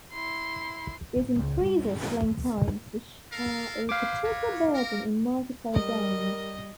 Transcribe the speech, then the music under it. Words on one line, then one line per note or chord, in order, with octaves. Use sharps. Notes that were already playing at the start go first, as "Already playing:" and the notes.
This increases playing-times, which are a particular burden in multiplayer games.
E4 C6
A2
C#2
G3
A4 A#4 F5
G#4 B4 C5 F5 D6
F#4 B4 C#5
A#4
G3 A#4 D#5